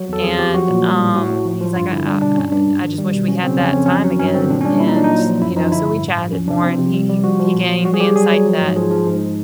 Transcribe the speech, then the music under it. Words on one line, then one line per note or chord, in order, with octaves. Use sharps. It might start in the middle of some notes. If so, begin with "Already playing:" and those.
and, um, he's like, "I, uh I I just wish we had that time again," and, you know, so we chatted more and he he he gained the insight that,
Already playing: F#3
E2 A4
F2 G#4
F3 G4
F#3 F#4
A#2
G3
A2
A2 F#4
A2
F3
F3
G2 F4
D3 E4
G3 D4
B2 D4
G2 C#4
G2 D4
G#2
D#3
G3
B2
F#3 C#4
C#4
C#3 C4
F2 C#4
F2 C4
F#3 C#4
F#3
G2 C#4
D3 C4
A#2 D4
C#4
G3 D4
A#2 E4
D#4
F#3 D4
D#4
A#2
F3
F#2 E4
F3 D#4
D3 E4
G2
A2
F3
E2 C#4
C3 D4
F3 C4
C3
G3
G3
F3 F#4
F3
A#2
F#3
G3 F#4
G#4
G3 G4
F#3 G#4
F#3
F3
G#2
F3 G#4
F3
G#2